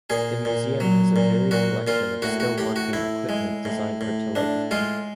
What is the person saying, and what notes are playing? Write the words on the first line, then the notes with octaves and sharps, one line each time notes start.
The museum has a varied collection of still-working equipment designed for telegraphy.
A#2 G#4
A#2
F#3
A#2
A#2 F#4
A#2 F4
A2 F#4
F#4
A2 G4
F#4
A2 E4
G#3
A2
A2
A2 D4
G#3 F4